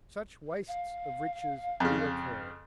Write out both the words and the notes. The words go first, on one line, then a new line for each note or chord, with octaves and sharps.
Such wastes of riches do occur.
F5
F2 C#3